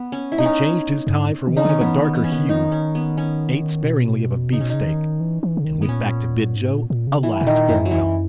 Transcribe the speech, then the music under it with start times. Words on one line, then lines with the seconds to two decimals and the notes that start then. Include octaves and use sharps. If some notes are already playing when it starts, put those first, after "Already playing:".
He changed his tie for one of a darker hue, ate sparingly of a beefsteak, and went back to bid Joe a last farewell.
Already playing: B3
0.12 C#4
0.32 E4
0.38 D#4
0.45 C#4
1.07 F#2
1.14 G#2
1.47 D#3
1.57 D#4
1.64 D#3 C#4
1.81 E3 B3
1.99 D#3
2.15 E3 B3
2.24 C#4
2.32 D#3 B3
2.49 D#4
2.72 C#4
2.95 B3
3.18 C#4
3.84 B2
4.52 C#3 D#4
4.60 B2 C#4
4.69 C#3 D#4
4.86 D#3
5.20 E3
5.43 E3
5.57 C#3
5.65 D#3
5.82 B3
5.88 A#2 C#4
6.56 G#2
6.73 A#2
6.90 A#2
7.07 C#3
7.23 E3
7.41 B2
7.46 A#2 D#3
7.68 F#2 E3
7.85 F#3
7.91 E3